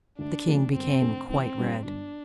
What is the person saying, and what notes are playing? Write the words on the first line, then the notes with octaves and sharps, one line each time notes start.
The king became quite red.
D2 D4
C3 F3 A3
G1 C4
F2 C3 A3 D4
A1 C4
G2 G3 F4
G1 D4